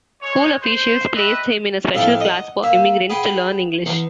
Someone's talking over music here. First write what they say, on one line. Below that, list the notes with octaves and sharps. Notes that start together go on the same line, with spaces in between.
School officials placed him in a special class for immigrants to learn English.
G#3 C#5
C5
G4 B4 D#5 E5
F2 A2 E5 F5 G5 A5
D#5 F#5
A#3 E5
G#4 B4 F#5 G5
E2